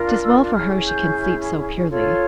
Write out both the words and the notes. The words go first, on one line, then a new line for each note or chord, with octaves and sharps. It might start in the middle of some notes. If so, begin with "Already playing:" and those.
'Tis well for her she can sleep so purely.
Already playing: D4 F4 A#4
E6
C#4 E4 G#4 F6
G6
F4 A4 C#5